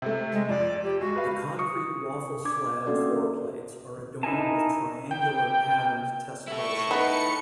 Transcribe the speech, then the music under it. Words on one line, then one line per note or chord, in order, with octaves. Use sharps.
The concrete waffle slab floor plates are adorned with triangular-patterned tessellation.
C3 A3
G#3
F2 D5
G4
G#3 F#4
B4 F5
C#6 D#6 C#7
D4 D6 G#6
A#3 B3 C#4 F#4 A4 D5
D#4 E4 A#4 G#5 A5
G5
E4 A4 C#6
B3 D#4 B4 C#7